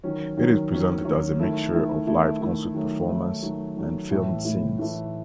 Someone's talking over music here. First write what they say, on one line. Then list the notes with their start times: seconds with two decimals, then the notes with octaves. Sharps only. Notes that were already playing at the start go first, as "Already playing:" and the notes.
It is presented as a mixture of live concert performance and filmed scenes.
0.04 D#3 F#3 C#4
0.37 D#3 F#3 C#4
0.71 D#3 F#3 C#4
1.05 D#3 F#3 C#4
1.40 D#3 A3 E4
1.73 D#3 A3 E4
2.07 D#3 A3 E4
2.41 D#3 A3 E4
2.74 D#3 F#3 A3
3.09 D#3 F#3 A3
3.42 D#3 F#3 A3
3.77 D#3 F#3 A3
4.11 A2 E3 A3 E4
4.45 A2 E3 A3 E4
4.78 A2 E3 A3 E4